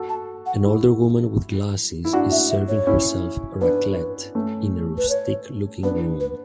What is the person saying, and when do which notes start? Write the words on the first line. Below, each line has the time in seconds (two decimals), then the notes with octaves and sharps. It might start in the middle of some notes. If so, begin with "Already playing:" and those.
An older woman with glasses is serving herself Raclette in a rustic looking room.
Already playing: F#4 A4
0.09 A5
0.46 F#5
0.65 E4 G4
2.05 E4
2.13 D4 F#4 F#5
2.32 E5
2.50 E5
2.68 C#5
2.87 C#4 E4
3.61 B3 D4 B4
4.35 A3 C#4
4.98 B4
5.09 C#5
5.83 B3 D4 B4
6.20 B4